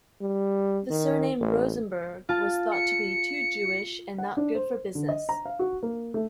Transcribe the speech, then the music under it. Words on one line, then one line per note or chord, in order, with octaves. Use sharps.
The surname "Rosenberg" was thought to be "too Jewish" and not good for business.
G3
D#3
A1
F4 A5
C#7
F#5
D4
C5
D3
D#5
A#5
F5
F#4
A#3
A3